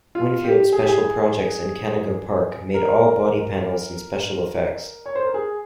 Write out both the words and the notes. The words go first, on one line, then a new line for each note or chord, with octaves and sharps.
Winfield Special Projects in Canoga Park made all body panels and special effects.
F4
G4
G#4
G4
G#4
A#4
C#5
C5
A#4
G#4